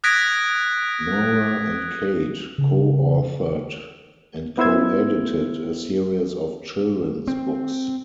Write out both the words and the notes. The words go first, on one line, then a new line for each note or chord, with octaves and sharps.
Nora and Kate co-authored and co-edited a series of children's books.
D#6 F#6 G#6 A#6 B6 D7
C#3
B3 E4 C5 E6 G#6
C4